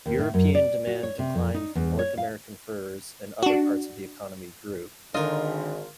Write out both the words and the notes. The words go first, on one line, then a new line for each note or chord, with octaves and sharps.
European demand declined for North American furs, and other parts of the economy grew.
D#2
A2
F#2
D5
F#4
C#5
C3
F2
D#4
E2
C#5
F5
D4 F#4
G#1 D3 D#3 F4 A#4 D#5